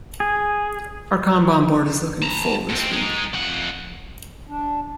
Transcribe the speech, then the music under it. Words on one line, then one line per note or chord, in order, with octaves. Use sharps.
Our Kanban board is looking full this week.
G#4
A5 A#5
G#2 C4
G#3 D#4
F2 F#5
D4